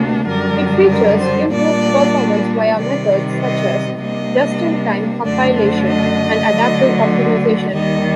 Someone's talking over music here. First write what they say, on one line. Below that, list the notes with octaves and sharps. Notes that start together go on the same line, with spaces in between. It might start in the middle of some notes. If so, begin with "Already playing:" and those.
It features improved performance via methods such as just-in-time compilation and adaptive optimization.
Already playing: D2 C3 A#3 D4
F#2 D3 G3 A#4
A#4
C5
A#2 G3 A#3 D4 D5
C3 D#3 G3 D5
D#5
C3 G3 A#3 D4 D#5
F#2 D3 A3 D4 D5
C5
D#5
D2 D3 F#3
D#2 D#3 G3 D#5